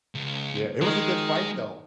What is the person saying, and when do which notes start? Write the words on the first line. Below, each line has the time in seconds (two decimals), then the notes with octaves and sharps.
Yeah, it was a good fight, though,
0.15 C#2
0.81 D#3 G#3